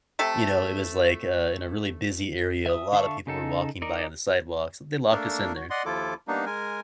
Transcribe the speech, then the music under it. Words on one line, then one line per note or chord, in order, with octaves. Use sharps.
you know, it was like, uh, in a really busy area, a lotta people were walking by on the sidewalks, they locked us in there,
C3 A3 A4
E5 D#6
D3 E5 F5 A5 C#6
C#3 D#4 A4
D#4 A#4 D5
A3 A#3 D4 A4 A#4
F#4
D5 D#5 F#5 C6
D#2 F3 E4 F4 A4 D6
G3 A#3 B3 D4 D#4
G#3 A#4 G#5